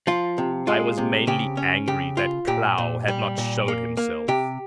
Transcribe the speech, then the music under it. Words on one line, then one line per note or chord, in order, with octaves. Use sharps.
I was mainly angry that Klow had not showed himself.
F3 F4
C3
G#3 F4
C3
C#3 G4
C#4
C#3 G4
F4
A#2 G4
A#2
G3
A#2
A#3
A#3
C3 G4